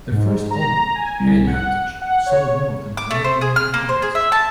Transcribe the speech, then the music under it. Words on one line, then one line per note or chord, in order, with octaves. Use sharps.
Their first album, "Head Hunters", sold more than one million copies.
G#2
A#5
G#5
C2
F#5
F#5
C#5
D6
A3
C5
G#4
F6
A#3
C5
G#4
E5
A5